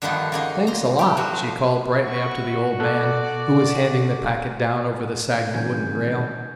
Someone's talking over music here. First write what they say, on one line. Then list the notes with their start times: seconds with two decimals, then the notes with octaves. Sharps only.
"Thanks a lot," she called brightly up to the old man who was handing the packet down over the sagging wooden rail.
0.02 G2 D3 D#3 F3 B3 D#4
0.32 C#3 A#3 D#4
0.67 A#5 C6
0.99 A3 G4
1.17 F3 F#3 F#4
2.03 E4 F#4 C#6
2.80 B2 A4 D5 F#6
5.54 G#1 C#3 E3 F#3 A#3 C#4 G6 G#6